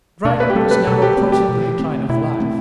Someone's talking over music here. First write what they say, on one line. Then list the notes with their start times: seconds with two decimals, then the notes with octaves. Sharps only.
Dryden was now approaching the decline of life.
0.25 B2 D4
0.40 B4
0.50 G4
0.55 A3 C4 A4
0.71 B4
0.87 B2 A4
1.02 G4
1.17 A3 C4
1.32 G4
1.48 B2
1.79 A3 C4
2.09 B2 E4
2.40 A3 C4